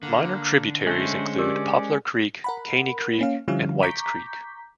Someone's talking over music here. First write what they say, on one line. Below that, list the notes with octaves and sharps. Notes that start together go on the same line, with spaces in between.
Minor tributaries include Poplar Creek, Caney Creek, and White's Creek.
D3 A#3
G#3 A3 C#4 C5
G4 A#4 D5
A#4 F#5 B5
A#3 C#4 F5
D3 F3 G3 C#4 E4 F5
A#5 C#6 D6 G6 B6